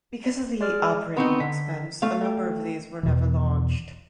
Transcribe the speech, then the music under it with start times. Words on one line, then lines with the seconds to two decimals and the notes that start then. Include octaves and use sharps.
Because of the operating expense, a number of these were never launched.
0.61 G#3 D5 F6
1.17 B3 C4 D#4 A#5 C6 C#6
1.40 D3 B6
2.02 A3 F5
2.21 A4 G5
3.03 E2 B2 E3